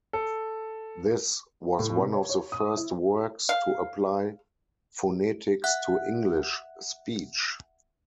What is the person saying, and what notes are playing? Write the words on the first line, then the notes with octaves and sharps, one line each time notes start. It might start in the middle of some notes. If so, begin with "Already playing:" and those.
This was one of the first works to apply phonetics to English speech.
A4
A2
C3
C#5
C#5
D#6
E4
F5
E5 F#5 F#6